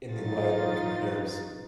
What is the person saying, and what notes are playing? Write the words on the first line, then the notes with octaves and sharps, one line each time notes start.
in the light of comparison,
E3 F#3 D#4 F4 A6